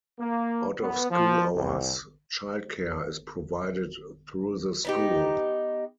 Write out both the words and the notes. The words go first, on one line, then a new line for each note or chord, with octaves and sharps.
Out of schools hours child care is provided through the school.
A#3
B3
F3
C2
B3 D#4 G4